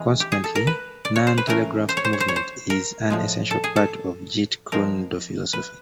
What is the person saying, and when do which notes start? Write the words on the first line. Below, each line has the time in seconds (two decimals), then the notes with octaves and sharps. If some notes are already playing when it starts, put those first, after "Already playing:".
Consequently, non-telegraphed movement is an essential part of Jeet Kune Do philosophy.
Already playing: E3 G#3 C4
0.20 G4
0.32 G#4
0.44 A4
0.55 A#4
0.67 B4
1.05 D5
1.16 C#5
1.27 C5
1.38 B4
1.47 E3 A3 C#4 A#4
1.89 C5
1.97 C#5
2.05 C5
2.13 C#5
2.20 C5
2.28 C#5
2.36 C5
2.70 A#4
3.10 A2 F3 G#3
3.51 A4
3.64 G#4
3.76 A4
4.72 F3 G#3 C4 A#4
5.53 B4